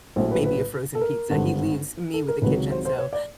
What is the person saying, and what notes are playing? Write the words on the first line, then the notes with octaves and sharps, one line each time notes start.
maybe a frozen pizza. He leaves me with the kitchen, so,
A#1 A2 F#3 C5
B4
B4
A4
A#4
G#1 G2 D3
A4
A#4
C#2 C3 D#3 F#3 B4
C5
C5
C#5
D5